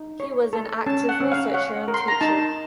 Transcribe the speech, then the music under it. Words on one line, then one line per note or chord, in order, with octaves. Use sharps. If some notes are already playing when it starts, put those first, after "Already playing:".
He was an active researcher and teacher.
Already playing: D#4
C#5
A4
C#4 A5
F#5
C#4
F5
C#5 F#5
A#4
C6
A#5
D#4 A5